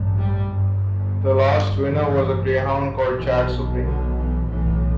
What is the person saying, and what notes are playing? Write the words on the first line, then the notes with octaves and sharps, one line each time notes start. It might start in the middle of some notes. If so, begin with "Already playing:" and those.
The last winner was a greyhound called Chad Supreme.
Already playing: A1 G2
G3
G1 G2
A1 G2 E3
B1 B2 E3
D3
E3
B1 A2 E3